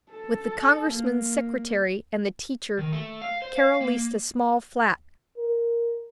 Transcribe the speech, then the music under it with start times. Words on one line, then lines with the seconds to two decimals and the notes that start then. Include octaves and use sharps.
With the congressman's secretary and the teacher Carol leased a small flat.
0.11 A4
0.90 A#3
2.79 D#3
2.93 A3
3.22 F5
3.42 C5
3.56 F5
3.81 A#3
5.38 A#4